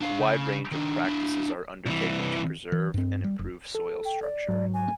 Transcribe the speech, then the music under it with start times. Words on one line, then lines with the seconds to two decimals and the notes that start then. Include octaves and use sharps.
A wide range of practices are undertaken to preserve and improve soil structure.
0.01 D4 F5
0.19 C#3
0.72 D#3 D4
1.05 D4 E4
1.86 C2 E3
2.72 E3
2.94 G2 C4
3.24 G3
3.39 F#1
3.75 A4
4.05 G5
4.22 D5
4.49 G#2 F#3
4.74 G#5